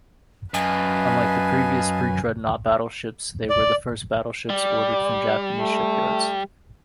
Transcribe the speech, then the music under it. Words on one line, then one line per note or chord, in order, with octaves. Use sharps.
Unlike the previous pre-dreadnought battleships, they were the first battleships ordered from Japanese shipyards.
F#2 B4 D#5 F5 G#5 A5
D5
G3 D5
A3